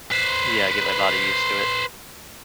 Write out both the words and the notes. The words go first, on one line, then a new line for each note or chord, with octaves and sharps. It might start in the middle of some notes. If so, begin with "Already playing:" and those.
Yeah. I get my body used to it.
B4 C5